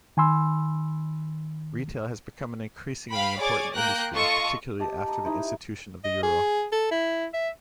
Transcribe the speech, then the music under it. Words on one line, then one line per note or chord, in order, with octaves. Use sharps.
Retail has become an increasingly important industry, particularly after the institution of the euro.
D#3 G#5 B5 C6 E6
F5 G5 B5
G#4 C#5 D5 D6 G#6 A6
A#3 A#4 G5 F#6 G6 A#6
F4 A4 D#5 C#6
G4 D#5 A5 D#6
A#5 D#6
D#4 E4 C5
D#5
G#4
A4
E4
E5